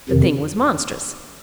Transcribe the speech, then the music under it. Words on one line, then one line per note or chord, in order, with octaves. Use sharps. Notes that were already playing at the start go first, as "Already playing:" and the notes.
The thing was monstrous.
F2 C3 D#3